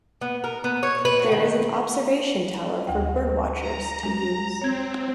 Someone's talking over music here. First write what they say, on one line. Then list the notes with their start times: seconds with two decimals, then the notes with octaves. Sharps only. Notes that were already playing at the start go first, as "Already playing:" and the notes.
There is an observation tower for birdwatchers to use.
0.21 B3
0.44 A#4
0.64 B3
0.83 C#5
1.05 B4
1.19 F#4
1.32 D#3
2.87 D2 G5
3.60 A#5
4.03 G#3
4.61 C4 C#5 G#6